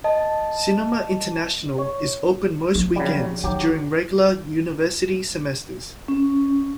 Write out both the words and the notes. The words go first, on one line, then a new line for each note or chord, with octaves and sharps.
Cinema International is open most weekends during regular university semesters.
D#5 A5
C#5
F3
C#3 F#3 G3
D#3 F#3 G4
C#4